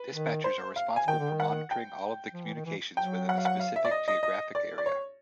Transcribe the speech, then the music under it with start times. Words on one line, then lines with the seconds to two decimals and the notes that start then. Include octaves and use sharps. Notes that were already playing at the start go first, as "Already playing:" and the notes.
Dispatchers are responsible for monitoring all of the communications within a specific geographic area.
Already playing: B4
0.13 D#3
0.44 C5
0.76 F5
0.96 G#5
1.08 D#3 G5
1.19 D3
1.31 D#3
1.40 F#5
1.71 G5
2.34 F3
2.44 E3
2.55 D#3
2.65 E3
2.97 F#3 G5
3.29 F#5
3.38 F5
3.45 F#5
3.60 F5
3.76 E5
3.85 D5
3.91 D#5
4.08 D#5
4.23 D#5
4.55 D5
4.78 D5
4.86 C#5